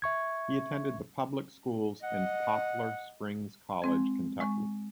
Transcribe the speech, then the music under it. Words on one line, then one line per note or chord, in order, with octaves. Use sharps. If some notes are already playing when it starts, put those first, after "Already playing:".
He attended the public schools and Poplar Springs College, Kentucky.
E5 C#6 G#6
D#5 F#5
G#3 C4 G#6
G#3 C#6